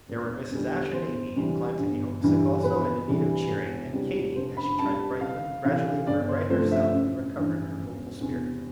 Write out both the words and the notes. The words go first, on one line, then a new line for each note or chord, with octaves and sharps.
But there were Mrs. Ashe and Amy, inclined to be homesick also, and in need of cheering; and Katy, as she tried to brighten them, gradually grew bright herself, and recovered her hopeful spirits.
E1
E2 D3 G3
E2 C5
C3 E3 G3
G1
G2 E3 G3
E2 B4
C3 E3 G3
E1
E2 C3 G3
F1 C5
B5
F2 C3 G3 A5
C2 F5
C3 E3 F5
G1 D5
C5
F2 C3 F3 A3 C5
E5
A1
G2 E3
E1
E2 C3